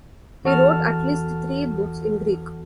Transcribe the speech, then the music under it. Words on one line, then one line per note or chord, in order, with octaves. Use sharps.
He wrote at least three books in Greek.
E2 F#4 A4 A5 F6